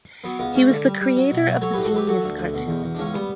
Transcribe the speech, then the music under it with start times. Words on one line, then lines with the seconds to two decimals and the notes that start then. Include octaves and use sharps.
He was the creator of the "Genius" cartoons.
0.24 F#3 B3
0.39 C#2 B3
0.54 C#2 C#4
0.70 D3
0.85 G3
1.01 G3
1.16 F#3
1.31 B2
1.47 F#3
1.61 F#3 A4 C#5
1.73 A2 G4 B4
1.85 F#4 A4
1.92 F#3 G4 B4
2.07 F#3 F#4 A4
2.23 D2
2.38 D2
2.54 B2
2.68 E2
2.84 E2
2.95 D4
2.99 C#2 C#4
3.14 G3 B3